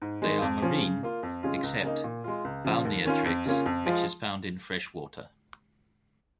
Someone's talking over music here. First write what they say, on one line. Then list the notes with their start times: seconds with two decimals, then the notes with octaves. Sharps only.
They are marine, except "Balneatrix" which is found in fresh water.
0.02 G#2
0.22 D#3 G#3
0.42 F2
0.62 F3 C#4
0.83 C#3
1.03 A#3 F4
1.23 F2
1.43 C#3 G#3 C#4 F4
1.63 C#2
1.84 C#3 A#3 D#4
2.04 A#2
2.24 G#3 F4
2.45 C#2
2.65 C#3 F3
2.85 D#2
3.05 D#3 C#4 F4
3.25 F2
3.46 C#3 A#3 C#4 F4
3.66 F2
3.86 F3 G#3 F4